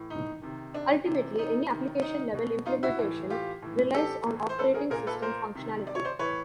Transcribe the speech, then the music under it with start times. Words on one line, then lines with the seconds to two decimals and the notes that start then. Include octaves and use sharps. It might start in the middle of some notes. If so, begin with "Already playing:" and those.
Ultimately, any application-level implementation relies on operating-system functionality.
Already playing: A2 E3
0.10 D#4
0.42 C3 D#3
0.74 D4
1.06 C3 E3
1.39 D#4
1.70 C3 D#3
2.02 D#4
2.34 B2
2.66 D#4 F4
2.83 E4 F#4
2.99 A2 E3
3.30 F4 G4
3.62 A2 E3
3.94 G4 A4
4.27 A2 E3
4.49 C5
4.58 A4 B4
4.74 G#4 A#4
4.90 A#2 G#4 A#4
5.07 A4 B4
5.22 A#4 C5
5.55 C3 D#3
5.87 D5
5.95 C#5
6.05 C5 D5
6.19 A2 E3 B4 C#5